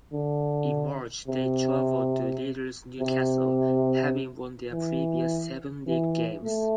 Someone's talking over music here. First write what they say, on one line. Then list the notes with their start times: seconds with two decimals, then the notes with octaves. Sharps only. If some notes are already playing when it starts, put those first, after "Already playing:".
In March they travelled to leaders Newcastle, having won their previous seven league games.
0.13 D3
1.28 C3
3.00 C3
4.72 E3
5.87 E3
6.44 A3